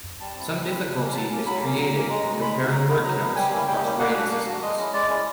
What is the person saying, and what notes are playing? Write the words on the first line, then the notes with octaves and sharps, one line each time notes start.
Some difficulty is created when comparing word counts across writing systems.
G3 A5
C4 E4
G3
C4 E4
F#3
A#3 C#4
F#3 A5
A#3 C#4
F#3 B5
A#3 C#4
F#3 A#5
A#3 C#4
G#3 A#5
B3 D#4 F#4
G#3 B5
B3 D#4 F#4
F#3 A#5
B3 E4
F#3 A#5
B3 E4
G3 G#5
A#3 C#4 E4
G3 G5
A#3 C#4 E4
A#3 F#5
D4 F#4
A#3 F5
D4 F#4
G#3 D#5
C#4 E4
G#3 D5
C#4 E4